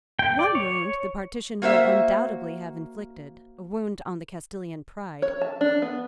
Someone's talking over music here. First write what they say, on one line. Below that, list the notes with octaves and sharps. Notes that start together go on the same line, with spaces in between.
One wound the partition would undoubtedly have inflicted, a wound on the Castilian pride.
G5
D5
C#5
A#3 F#4 C5 E5
C#5
A5
D4
B3